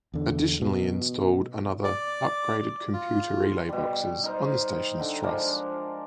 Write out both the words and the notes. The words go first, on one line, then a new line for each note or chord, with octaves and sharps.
Additionally installed another upgraded computer relay boxes on the station's truss.
E2 D3
B2
D5
F4
B2 G3
D#4 A#4 C5
D3 D#4 G5
F3 G#3 D4 A#4